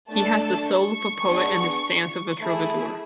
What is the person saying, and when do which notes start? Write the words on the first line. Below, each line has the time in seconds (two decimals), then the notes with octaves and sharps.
He has the soul of a poet and the stance of a troubadour.
0.11 A3 D4 A4 A5
0.68 C#6
1.26 B3 D4 G#4
2.40 A3 E4 G#4